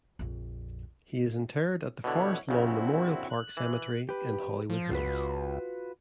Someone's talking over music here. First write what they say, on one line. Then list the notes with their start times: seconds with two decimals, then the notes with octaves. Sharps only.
He is interred at the Forest Lawn Memorial Park Cemetery in Hollywood Hills.
0.19 A#1 F2
2.04 B2 D3 E4 C#5 F#5
2.49 A#1 C#3 C4 E4 F#4
3.30 F#6
3.57 E3
4.09 G4 B4
4.70 F3
4.91 C#2 F4 F#4 B4